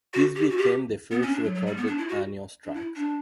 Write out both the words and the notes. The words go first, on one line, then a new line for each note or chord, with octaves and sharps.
These became the first recorded Annuals tracks.
F#4
G4
F#4
G4
B3
C#4
D4
F#3
F#3
G3
B3
D4
E4
F#4
D4
E4
D4